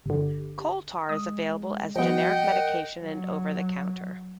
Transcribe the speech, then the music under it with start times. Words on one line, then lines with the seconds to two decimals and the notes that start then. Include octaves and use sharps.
Coal tar is available as a generic medication and over the counter.
0.06 G1 D3 G4
1.09 G#3 D#6
1.96 F3 G3 B3 F#4 D#5 F#5 G5
2.50 A#4
3.01 F#3